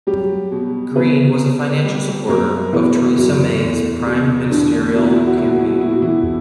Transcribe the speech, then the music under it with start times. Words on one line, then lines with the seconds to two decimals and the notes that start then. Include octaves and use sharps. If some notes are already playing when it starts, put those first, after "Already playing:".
Green was a financial supporter of Theresa May's prime ministerial campaign.
0.07 F#3 G3 G4
0.51 B2
0.96 B2 B3 B4
1.40 B2
1.84 G3 G4
2.28 F#2 A#3 A#4
2.73 E3 B3 B4
3.18 F#2
3.62 E2
4.07 B2
4.50 E2 D3 D4
4.95 B2 E4
5.06 F#4
5.16 E4
5.27 F#4
5.37 A#2 E4
5.48 F#4
5.59 E4
5.70 F#4
5.81 A#2 E4
5.91 F#4
6.02 E3 E4